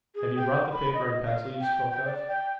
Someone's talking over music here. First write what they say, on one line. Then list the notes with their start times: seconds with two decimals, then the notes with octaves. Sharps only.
Have you brought the paper and pencil you spoke of?
0.15 G#4
0.36 G5
0.73 B5
0.94 D#5
1.24 F5
1.61 G5
1.91 G5
2.06 D5
2.28 G5